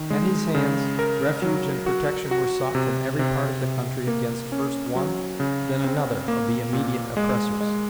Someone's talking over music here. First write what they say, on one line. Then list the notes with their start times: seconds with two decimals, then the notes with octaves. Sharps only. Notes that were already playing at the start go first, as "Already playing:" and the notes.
At his hands, refuge and protection were sought from every part of the country against first one, then another of the immediate oppressors.
Already playing: D#3
0.10 G#3
0.55 C#3
0.99 A#4
1.42 F#3
1.86 F#4
2.31 F#4
2.75 C3
3.19 C3
3.63 C3
4.07 A#3
4.52 C#4
4.95 F#3
5.40 C#3
5.84 C4
6.28 A#3
6.73 A#2
7.17 G#3
7.60 G#3